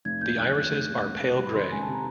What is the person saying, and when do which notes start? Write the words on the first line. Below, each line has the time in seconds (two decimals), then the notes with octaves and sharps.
The irises are pale grey.
0.05 F1 G#6
0.21 D#2 G6
0.38 F#3 F#6
0.55 D#3 F#6
0.71 F1
0.88 D#2
1.05 C#2
1.21 C3
1.38 G3
1.43 B5
1.54 D#3 C6
1.71 C#2 G#5
1.82 A5
1.87 C3
1.93 A#5